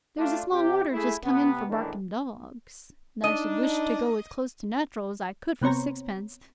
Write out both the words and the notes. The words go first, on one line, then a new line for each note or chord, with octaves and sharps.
There's a small order just come in for barking dogs; and I should wish to go as close to Natur' as I could for sixpence.
A3 D4 F4
C3 G4
A3 E4 G#4
C3 B3
E2 A2 D#3 E3 G#3 D4
D4 D#4 D#5
C3 B3 C4 C#5 A#5